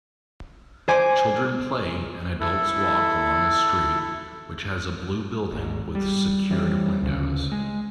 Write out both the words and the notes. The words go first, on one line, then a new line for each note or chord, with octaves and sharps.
Children play and adults walk along a street which has a blue building with secured windows.
C5 G#5 D6
E4 A4
G#1 G#2
G3
E3 G3
D2 C#3
G#3